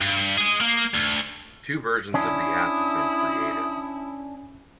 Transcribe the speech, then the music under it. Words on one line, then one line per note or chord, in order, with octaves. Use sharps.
Two versions of the app have been created.
G2
G#4 D#5
A#3
D2
C#4 D4 E4 D#6